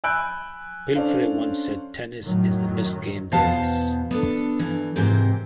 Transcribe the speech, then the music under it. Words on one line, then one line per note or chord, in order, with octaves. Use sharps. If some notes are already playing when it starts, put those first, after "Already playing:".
Palfrey once said, Tennis is the best game there is.
G#5 B5 E6 F#6 G6 D7
C#4 D4 A4 C5 F5
F#2 A2 D#3 F#3
E2 B2 B3 C5 F5 A5
B3 D4 A4
G2 E3
G#2 C3 E3 C4 G4 A#4